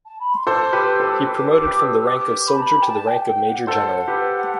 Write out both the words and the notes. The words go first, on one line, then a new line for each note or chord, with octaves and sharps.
He promoted from the rank of soldier to the rank of major general.
A5
B5
C6
A4 C5 D6
C6
G4 B4
D6
A4 C5
E6
G4 B4 D6
D6
G4 B4
E6
E6
D6
B5
A5
B5
G5
A5
G5
G5
F#5
A4 C5 F#5
G4 B4